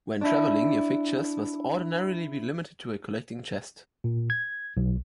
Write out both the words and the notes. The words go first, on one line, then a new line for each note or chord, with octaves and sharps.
When travelling your fixtures must ordinarily be limited to a collecting-chest.
D4 E4
A#2
G#6
B1